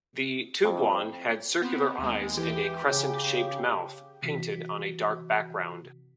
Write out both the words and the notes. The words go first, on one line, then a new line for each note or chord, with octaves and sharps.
The "tubuan" had circular eyes and a crescent-shaped mouth painted on a dark background.
F2
B3 C4
D#2 G#3
E3 G4
C#3
C3 E3 F#4 B6